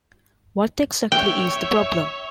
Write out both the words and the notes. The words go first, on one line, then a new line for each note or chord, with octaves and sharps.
What exactly is the problem?
C#5 E5 G5